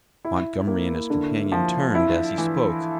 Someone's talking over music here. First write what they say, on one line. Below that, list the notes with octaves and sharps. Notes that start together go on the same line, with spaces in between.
Montgomery and his companion turned as he spoke.
E4
A#3
D3
F3
E4
E3